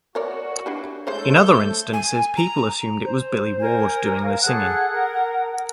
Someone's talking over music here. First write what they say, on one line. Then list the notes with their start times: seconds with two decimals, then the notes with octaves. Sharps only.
In other instances people assumed it was Billy Ward doing the singing.
0.15 F#4 A#4 C#5 D5
0.66 D4 E4 G4
1.07 G#3 A3 A4 C5 C#5 G6
1.93 G#5
2.37 A#5
3.05 C5
3.60 A#4 G#5
4.23 F5
4.43 G#4 A4 F#5 F#6
4.91 A#4